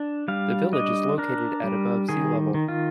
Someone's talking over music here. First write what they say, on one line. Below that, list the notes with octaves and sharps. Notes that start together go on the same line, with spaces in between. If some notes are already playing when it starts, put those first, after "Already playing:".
The village is located at above sea level.
Already playing: D4
G3 F5
D4 D#5
D4 A#4
G3
D#3 G#4
D#3
F4